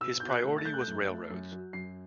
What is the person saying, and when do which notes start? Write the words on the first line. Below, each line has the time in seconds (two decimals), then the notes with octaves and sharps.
His priority was railroads.
0.01 B2 E6
0.20 B2 G6
0.30 F#6
0.44 A3
0.58 A6
0.65 A3 G6
0.74 F#6
0.81 G6
0.87 F#2
1.09 A3
1.30 F#2
1.52 F#3
1.73 F#2 C7